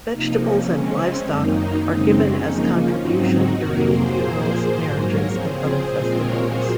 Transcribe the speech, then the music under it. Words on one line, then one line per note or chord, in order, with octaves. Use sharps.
Vegetables and livestock are given as contribution during funerals, marriages and other festivities.
C3 F3 A#3 D#4
C#4
C#3 G#3 C4 C#4
F#2 D#3 A#3 D#4
F#2 C#3 G#3 C4 D#4
C#4
C#3 F3 A#3 D#4
C#4 F4
G#2 F#3 C4 D#4 F#4
D#4 F#4
F2 C3 F#3 A#3 F#4 A#4
G#4 C5
A#2 F3 A#3
G#2 F#3 A#3
A#4 C#5
C#3 F3 C4 G#4 C5
G#4 C5
A#2 F3 G#3 C4 G#4 C5
A#4 C#5
A#2 F#3 A#3 G#4 C5